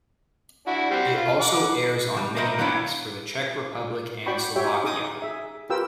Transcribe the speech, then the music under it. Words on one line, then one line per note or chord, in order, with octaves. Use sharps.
It also airs on Minimax for the Czech Republic and Slovakia.
D4 E4 F#4
G3 C4 F#4
F4
F#5 D6
C#3 G3
A#4 C5 D#5 E5 A#5
F#3 A#3 B3 D4 E4 C#5
F#4 D5 G5 B5 C#6
F#4 G4 C#5 E5 G5
D#4 G#4 D6 D#6
G#4 E5
F4 G4 A#4 B4 G5 E6